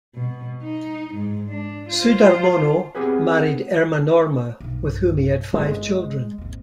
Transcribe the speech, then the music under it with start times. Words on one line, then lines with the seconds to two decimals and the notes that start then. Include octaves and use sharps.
Sudharmono married Erma Norma, with whom he had five children.
0.15 B2
0.63 D#4
1.15 G#2
1.49 D4
1.90 F4 C5
2.95 B3 C4 G4 G#4 B4
4.60 B1 G2
5.54 G1 G#3
6.38 G#1 D#2